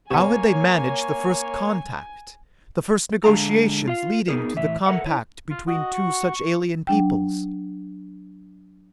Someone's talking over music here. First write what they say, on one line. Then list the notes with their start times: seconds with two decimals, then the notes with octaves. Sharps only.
How had they managed the first contact, the first negotiations leading to the compact between two such alien peoples?
0.11 C3 A#3 B3 C#5 G#5
3.24 D3 G#3 F5 A5 A#5
3.87 F4 F5
4.28 B3 D#4 E4 G#4 A#4
4.56 A2 E3 E5
4.86 A4 A#4 E5 F#5
5.04 E4 C#5
5.50 F4
5.67 F#4 D#5 F#5
5.93 C#6
6.87 F#3 D4 G5